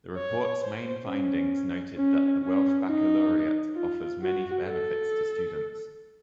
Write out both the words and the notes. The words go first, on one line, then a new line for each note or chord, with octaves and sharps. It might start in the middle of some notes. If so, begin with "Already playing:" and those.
The Report's main findings noted that the Welsh Baccalaureate 'offers many benefits to students.
C#5
C5
C#4
C#4
C#4
D#4
F4
F#4
A4